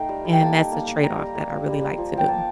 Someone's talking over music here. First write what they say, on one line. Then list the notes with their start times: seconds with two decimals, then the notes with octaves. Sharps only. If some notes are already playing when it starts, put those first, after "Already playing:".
and that's a trade off that I really like to do.
Already playing: A3 D#4 D#5 F5 G5
0.09 G3
0.25 G3
0.32 G5
0.41 A#3 A5
0.57 D#4
0.72 A#3
0.87 A#3
1.03 G3 A#5
1.19 G3
1.35 A#3
1.50 A#3
1.66 G3
1.81 G3
1.97 F3
2.13 F3 G5
2.28 A#3 A5